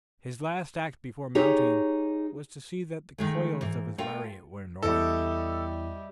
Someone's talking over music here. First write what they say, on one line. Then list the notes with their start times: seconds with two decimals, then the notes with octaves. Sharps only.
His last act before mounting was to see that the coils of his lariat were in order.
1.35 D#4 G4 G#4 C#5
3.18 D#3 G#3 A3
3.61 G#2 E3
3.98 A3 F4 A#4 G5
4.83 E2 G3 E4 A4 D#5 E5